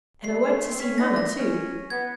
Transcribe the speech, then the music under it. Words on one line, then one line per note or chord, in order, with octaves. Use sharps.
And I want to see mamma too.
G3 C7
G#3
A3
C4
C#4 B6
D#4 A#6
D4
A#6
C#4
B3 G#6